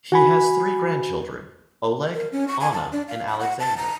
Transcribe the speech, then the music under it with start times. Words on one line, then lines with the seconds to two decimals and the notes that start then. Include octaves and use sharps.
He has three grandchildren, Oleg, Anna and Alexander.
0.12 F#4 G#5 B5
2.14 A#4
2.32 C#4
2.48 C#6
2.61 G#5
2.73 A5
2.92 D4
3.08 F5
3.27 B5
3.40 F#5
3.60 A5
3.77 A#5